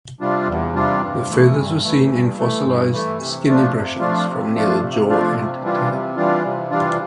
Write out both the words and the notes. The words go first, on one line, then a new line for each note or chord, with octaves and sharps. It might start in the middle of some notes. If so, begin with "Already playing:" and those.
The feathers were seen in fossilized skin impressions from near the jaw and tail.
C3 G3 D4 F4
E2
C3 G3 D4 F4
G2
E3 A3
G2
E3 A3
G2
E3 A3
G2
E3 A3
C3
F3 A3 D4 F4
C3
F3 A3 D4 F4
C3
F3 A3 D4 F4
C3
F3 A3 D4 F4
C3
E3 G3 D4 F4
C3
E3 G3 D4 F4
C3
E3 G3 D4 F4